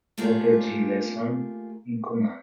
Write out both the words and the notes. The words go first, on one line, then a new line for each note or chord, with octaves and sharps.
Walter G. Lessman in command.
A3 A#3 F4 G4 G#4